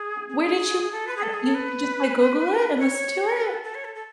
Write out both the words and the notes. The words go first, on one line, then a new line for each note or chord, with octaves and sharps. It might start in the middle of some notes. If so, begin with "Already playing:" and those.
Where did you hear it? You can just, like, Google it and listen to it?
Already playing: G#4
G#4
G#4
A4
B4
G#4
A4
G#4
A4
B4
C#5
A4
B4
A4
A4
C#5
A4
A4